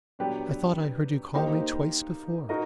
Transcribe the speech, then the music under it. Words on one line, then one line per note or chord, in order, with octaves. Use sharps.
I thought I heard you call me twice before!
F#3 B3 D4 G4 B4
A#3 D#4 G4 C5
D#4 F#4 A#4 D#5